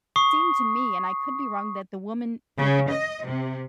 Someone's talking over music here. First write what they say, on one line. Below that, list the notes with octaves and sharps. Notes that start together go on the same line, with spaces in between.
seem to me, and I could be wrong, that the woman would h
C#6 D#6 C7
C#3
D#5
C3